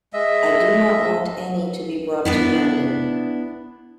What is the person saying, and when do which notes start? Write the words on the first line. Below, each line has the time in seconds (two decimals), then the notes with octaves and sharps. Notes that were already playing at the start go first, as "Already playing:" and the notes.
I do not want any to be brought to London.
0.13 G#3 D#5 E5
2.25 B3 D4 E4